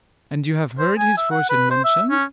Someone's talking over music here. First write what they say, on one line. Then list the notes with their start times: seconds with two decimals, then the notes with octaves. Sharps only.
"And you have heard his fortune mentioned?"
0.79 C5
0.98 G#5
1.17 E5
1.31 F#5
1.49 B4
1.71 C5
1.85 E5
2.10 C#4